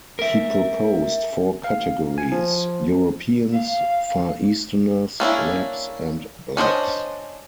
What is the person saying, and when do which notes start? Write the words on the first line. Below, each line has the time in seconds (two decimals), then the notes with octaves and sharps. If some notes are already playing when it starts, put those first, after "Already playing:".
He proposed four categories: Europeans, Far Easterners, Lapps, and Blacks.
0.19 A#4 E5
1.64 F5
2.18 G#5
2.32 F3
3.52 F5
5.20 A#3 C#4 D4 E4
6.57 C#4 D4 C5 D#5